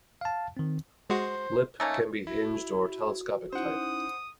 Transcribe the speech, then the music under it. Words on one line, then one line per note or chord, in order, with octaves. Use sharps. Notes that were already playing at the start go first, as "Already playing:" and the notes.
Lip can be hinged or telescopic type.
F5 A5
D#3 C4
G#3 F#4 C5
A3 A#3 C#4 D#4
E4 F#4
C#4 D#4 E4 C5 F#5 D#6